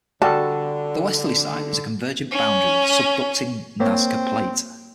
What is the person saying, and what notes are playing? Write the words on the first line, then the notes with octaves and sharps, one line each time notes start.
The westerly side is a convergent boundary with the subducting Nazca Plate.
D3 G3 F#4 A4 A5
C#4
A#3 C4 C#5